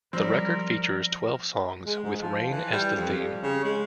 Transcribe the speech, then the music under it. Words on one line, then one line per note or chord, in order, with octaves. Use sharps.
The record features twelve songs with rain as the theme.
F3 G3 C4 A#4
G#3
G#2
F3
E3
G3
F2
G3
C#3
G#3